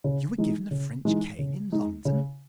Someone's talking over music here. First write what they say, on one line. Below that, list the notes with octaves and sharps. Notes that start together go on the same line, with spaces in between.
"You were given a French cane in London!"
C#3
E3 G#3 D#4
C#3
E3 G#3 D#4
C#3
G#3 D#4
C#3